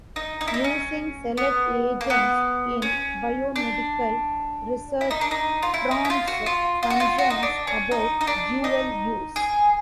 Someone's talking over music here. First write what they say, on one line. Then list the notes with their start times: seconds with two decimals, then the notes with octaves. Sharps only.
Using select agents in biomedical research prompts concerns about dual use.
0.16 D#4
0.41 D#4
0.48 E4
0.54 D#4
0.64 C#4
1.37 B3
2.01 A#3
2.10 B3
2.82 C#4
3.56 D4
5.01 E4
5.11 D#4
5.21 D4
5.31 D#4
5.63 F4
5.74 E4
5.91 D#4
6.05 E4
6.10 F4
6.28 F#4
6.46 F4
6.83 F4
6.90 F#4
7.00 F4
7.18 F#4
7.30 D#4
7.43 D4
7.67 C#4
7.92 D#4
8.21 D#4
8.27 D4
8.64 D#4
9.36 G#4